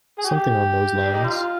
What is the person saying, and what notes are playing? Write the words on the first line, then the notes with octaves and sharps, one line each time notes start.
Something on those lines.
G#4
G4
D4
D#4
F4